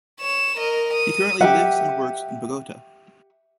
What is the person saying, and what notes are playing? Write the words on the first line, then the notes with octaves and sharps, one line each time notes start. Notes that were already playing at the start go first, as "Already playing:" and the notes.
He currently lives and works in Bogota.
C#5 E7
A#4 D#5
D#6
G4 E5 F#5